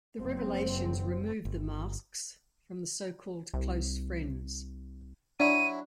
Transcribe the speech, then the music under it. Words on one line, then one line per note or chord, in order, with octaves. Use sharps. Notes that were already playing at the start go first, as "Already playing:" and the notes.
The revelations remove the masks from the so-called close friends.
F#1 C4
G1
C2
F#3 D4 E4 D#7